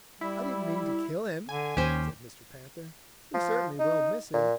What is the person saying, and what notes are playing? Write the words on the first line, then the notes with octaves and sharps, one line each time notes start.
'I didn't mean to kill him,' said Mr. Panther. 'We certainly will miss him.
G3 E4
D3 G#5
D#2 C#4 G4 C5
F3
D#4
A#2